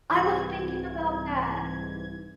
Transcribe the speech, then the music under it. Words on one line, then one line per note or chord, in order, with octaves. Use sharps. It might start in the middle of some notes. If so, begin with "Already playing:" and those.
I was thinking about that.
C2 G#2 E3 G#6